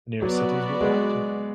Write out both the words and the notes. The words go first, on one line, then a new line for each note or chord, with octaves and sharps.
The nearest city is Wolverhampton.
F#3 B3 F#4 B4 D5
G#3